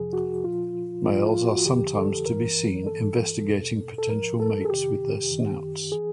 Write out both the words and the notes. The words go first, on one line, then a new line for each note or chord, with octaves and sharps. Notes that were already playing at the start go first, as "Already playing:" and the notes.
Males are sometimes to be seen investigating potential mates with their snouts.
Already playing: F2 C3 F3 G#4
F#4
A#2 F3 F4
A2 F3 F4
F4
F#4
F2 D3 F3 G4
A4
G2 E3 A#4
G2 E3 A4
E2 B2
A4
A2 F3 A#4
A4
G#4
F2 C3 D#3 G4
F#2 D#3
E3 G#4